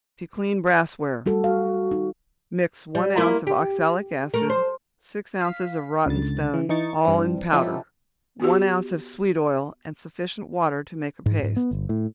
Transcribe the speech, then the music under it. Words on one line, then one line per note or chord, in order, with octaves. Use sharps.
To Clean Brassware.--Mix one ounce of oxalic acid, six ounces of rotten stone, all in powder, one ounce of sweet oil, and sufficient water to make a paste.
G3 F#4 A4
F#4 F5
D#4
G3
A#3 E4 F4
G4
A3 A#4
C5
F5 B6
C#2 D3 A6
E3
E3 D#4 C#6 A6
G2 E3 C4 D4
F3 C#4 D#4 E4 G4 A4
B3 F#4 G4
G#2
G#2
B3
G1
A2